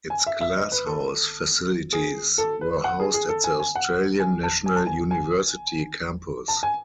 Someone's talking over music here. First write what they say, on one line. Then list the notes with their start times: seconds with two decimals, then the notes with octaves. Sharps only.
Its glasshouse facilities were housed at the Australian National University campus.
0.10 G#5
0.27 E5
0.41 E5
0.57 D#5
0.72 B4
0.86 A4
1.93 G#4
2.38 A4
2.61 B4
2.84 F#5
3.00 G#4
3.14 G#4
3.29 A4
3.44 G#5
3.60 G#5
3.75 F#5
4.20 G#5
4.43 A5
4.66 G#5
4.76 A5
4.87 G#5
5.11 G#5
6.48 A5
6.63 G#5